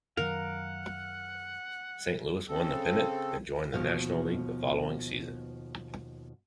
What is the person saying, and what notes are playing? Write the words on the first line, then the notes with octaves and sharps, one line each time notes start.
Saint Louis won the pennant and joined the National League the following season.
F#2 D#3 F#3 A#4 F5 F#5
C#3 C4 A4
D#2 B2 F3 F5